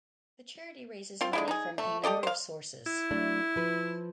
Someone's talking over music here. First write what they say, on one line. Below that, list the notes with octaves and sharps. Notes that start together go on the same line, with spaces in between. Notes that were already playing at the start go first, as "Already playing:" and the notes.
The charity raises money from a number of sources.
C4 F4
D3 G#3 E4
D#4 G#4
A3
G4 A4 D5 D#5
C5 F5
E4
F#3 A3 D4
F3 B4